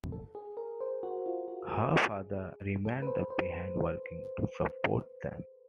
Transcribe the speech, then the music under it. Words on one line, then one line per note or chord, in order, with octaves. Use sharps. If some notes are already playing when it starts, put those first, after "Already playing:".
Her father remained behind, working to support them.
A4
G#4
A#4
C5
F#4
F4
F#4
G#4
A4
B4
C5
C5